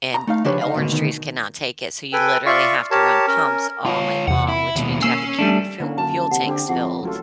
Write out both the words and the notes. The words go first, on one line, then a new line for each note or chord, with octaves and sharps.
And, eh, orange trees cannot take it, so you literally have to run pumps all night long, which means you have to keep your fuel fuel tanks filled.
A#5
A3 D#4 F5
C#3 F3 D4 G4 B4 C#5
D#4 F5
D2 G#2 B2 D#3
D2 B2 D#3
A4 B4 G5 G#5
F4 D5 E5 F5 C#6
G4 A#4 C#5 A5
C#4 A#4
F4 C#5
E2 C3 F#5
E4
D#2 B2
A#3 C#4 G#5 E6 C7
G3 A3 D4
D3 A#3 C#4 E4 C5 D5
F#2 A5
C3 F#5
D3 C4 G4
F2 E4 G#4 F#5
A1 F#3 F4 A4